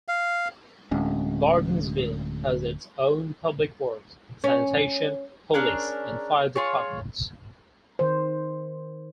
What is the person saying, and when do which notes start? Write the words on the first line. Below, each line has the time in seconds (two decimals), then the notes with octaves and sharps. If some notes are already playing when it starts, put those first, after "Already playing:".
Gordonsville has its own public works, sanitation, police, and fire departments.
0.08 F5
0.91 D1 G#3 C#4
4.44 C#4
5.54 C#4 D4 G#4 A#4
6.56 F4 G#4 C#5
7.99 D#3 C5